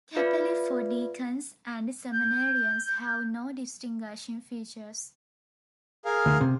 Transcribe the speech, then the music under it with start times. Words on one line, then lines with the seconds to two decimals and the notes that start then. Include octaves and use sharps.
Cappelli for deacons and seminarians have no distinguishing features.
0.16 F4 B4 D5 E5 F5
2.12 G6
6.05 G#4 A#4 F5
6.26 D2
6.41 C3